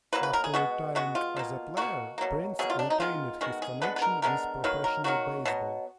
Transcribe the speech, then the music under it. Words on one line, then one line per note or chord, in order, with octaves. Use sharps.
After retiring as a player, Prince retained his connection with professional baseball.
B2 F#3 A#3 B4
B4
A#4
G#4
B2 G#3 B3 F#4
B2 G#3 B3 F#4
F4
B2 A#3
B2 A#3 F#4
B2 F#3 A#3
B2 F#3 A#3 G#4
F4
D4
D#4
D#3 G#3 B3 F4
D#3 G#3 B3 F#4
G#4
D3 G#3 B3 B4
B4
A#4
D3 G#3 B3 A#4
D#3 F#3 A#3 B4
A#4
D#3 F#3 A#3 F#4
B2 F#3 B3